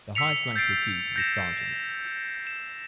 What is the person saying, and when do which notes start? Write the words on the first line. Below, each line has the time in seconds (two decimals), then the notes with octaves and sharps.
The highest rank he achieved was sergeant.
0.15 E6 B6 C#7 F7
0.56 G6 A6 C7 D7
1.16 G6 A#6 E7
2.47 E7